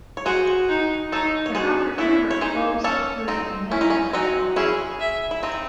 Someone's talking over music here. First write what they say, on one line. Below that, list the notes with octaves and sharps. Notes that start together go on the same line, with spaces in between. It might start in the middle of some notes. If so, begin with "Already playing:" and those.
The Herbert River flows through the middle of the property.
C#5
F#4 G#4 C5
D#4
D#4 A4 C#5
C#5
F#4 G#4 C5
E4 A4 C#5
C#5
D#4 G#4 C5
C#4 A4 C#5
C4 D#4
C#4 E4
D#4
C#4
C4 D#4 F#4
C#4 E4 G#4
E5
E4
C4 D#4